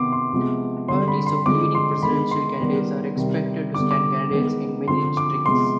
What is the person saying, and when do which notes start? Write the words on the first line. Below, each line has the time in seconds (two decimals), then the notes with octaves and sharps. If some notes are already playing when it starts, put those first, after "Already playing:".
Parties of leading presidential candidates are expected to stand candidates in many districts.
Already playing: C3 D#3 B3 C6 D6
0.12 C6
0.33 C3 F3 G#3 B3
0.88 D3 G3 C4 C6
1.08 B5
1.26 C6
1.45 D3 F3 G#3 C4 D6
1.75 C6
2.03 D#3 G#3 B3 B5
2.31 C6
2.60 D#3 G3 B3
3.16 C3 D#3 G3
3.74 D3 G3 B3 D6
3.91 D6
4.31 D#3 G#3 B3
4.88 D3 F3 C4 C6
5.17 D6
5.45 C3 F3 G#3 B3 C6